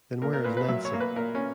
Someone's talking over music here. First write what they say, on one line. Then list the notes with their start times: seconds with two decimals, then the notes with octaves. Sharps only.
Then where is Nancy?
0.22 A#2 A#4
0.33 A#4
0.44 A#2 B4
0.57 B4
0.69 F#3 E5
0.85 C#5
0.93 A#3
1.00 B4
1.16 A#2 A#4
1.35 C#4